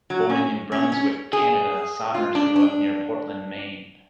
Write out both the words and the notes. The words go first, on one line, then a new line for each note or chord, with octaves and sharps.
Born in New Brunswick, Canada, Somers grew up near Portland, Maine.
F#3
C#4
C#4
C#4
G#4
F4
D4
D4